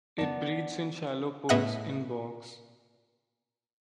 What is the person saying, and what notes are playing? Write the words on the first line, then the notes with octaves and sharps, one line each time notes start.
It breeds in shallow pools in bogs.
B3 D5 A5
A2 B3 D#5 E5 F#5 F#6